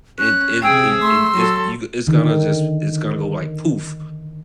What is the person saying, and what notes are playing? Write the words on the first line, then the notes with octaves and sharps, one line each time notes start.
it it's y it it's you g it's gonna just it's gonna go like "Poof."
C#4 F#6
C3 G#4 G5 E6
A3 C6
F#3 A4
D3 D#3